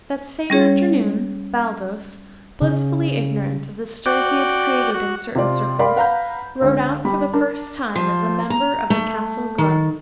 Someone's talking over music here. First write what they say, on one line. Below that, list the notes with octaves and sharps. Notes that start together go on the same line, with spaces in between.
That same afternoon Baldos, blissfully ignorant of the stir he had created in certain circles, rode out for the first time as a member of the Castle Guard.
G3 C#4 G#4 C#5
C#3
F#4 D5 G5
F#4
C3 F4 D5
A#4 D5 F5 G5 B5 C6
B4 F5 F#5 A#5 B5 G6
C#2 D3 C#5
G3 B5
D4 A#4
F3
A#5
A3
D#3